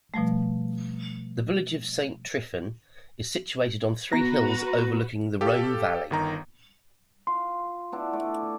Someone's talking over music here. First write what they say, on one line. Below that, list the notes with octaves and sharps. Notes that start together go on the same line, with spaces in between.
The village of Saint-Triphon is situated on three hills overlooking the Rhone valley.
B2 F3 G3 A3
B3 F#4 B4 A#5 A#6
G4 A4 F5
G1 D#3 A#5
F4 C6
B3 D4 E4
A3 D5